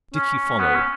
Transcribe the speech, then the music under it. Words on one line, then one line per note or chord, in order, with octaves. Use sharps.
Dickie followed.
C#4
B3
C#4